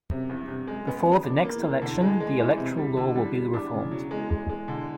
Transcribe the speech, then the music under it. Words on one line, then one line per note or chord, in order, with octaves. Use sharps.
Before the next election, the electoral law will be reformed.
F#2 C3
E2
G2
C3
F#2 G#3
B3
B3
F2 D4
A#3
E2
A#3
E2 D3
G#3
G#3
E3
C3
G3
D3
G3
G3
D4
C#3
F#3
E2 G#3
G#3
G#3
D3